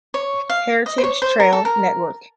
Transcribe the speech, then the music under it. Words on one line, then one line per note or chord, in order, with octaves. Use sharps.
Heritage Trail Network.
C#5
F5
D#5
C5
C#5
C5
A#4
A4
A#4